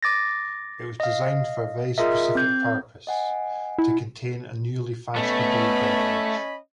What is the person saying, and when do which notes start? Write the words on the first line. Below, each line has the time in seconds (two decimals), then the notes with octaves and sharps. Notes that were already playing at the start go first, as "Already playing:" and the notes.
It was designed for a very specific purpose: to contain a newly fashionable beverage.
0.03 D6 A6 A#6
1.00 D#5 F5
1.98 F4 G#4 A#4 D#5 E5
2.35 C4 G6
3.07 D#5 F#5 G#5
3.78 E4
5.16 A3 B3 C#4 D#5 B5